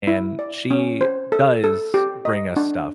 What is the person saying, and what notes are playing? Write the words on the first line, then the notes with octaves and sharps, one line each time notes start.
and she does bring us stuff
E4
D5
C#4
C5
A4
A4
G4
D#5
D4